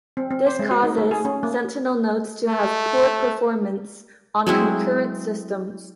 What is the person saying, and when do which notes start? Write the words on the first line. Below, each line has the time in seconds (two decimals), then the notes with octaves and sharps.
This causes sentinel nodes to have poor performance on concurrent systems.
0.17 C4
0.31 C4
0.47 C5
0.59 G#3
0.71 F#4
0.83 D#4
0.98 A3
1.11 G#4
1.25 C#4
1.43 A#3
2.47 A3
4.47 F#3 G#3 C4 E4